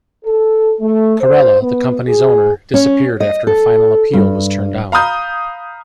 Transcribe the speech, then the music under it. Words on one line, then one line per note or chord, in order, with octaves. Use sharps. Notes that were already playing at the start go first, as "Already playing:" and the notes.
Carella, the company's owner, disappeared after a final appeal was turned down.
A4
A3
C5
B3
G#4
C#4
D#5
A4
G2
F5 A#5 B5 D#6 G6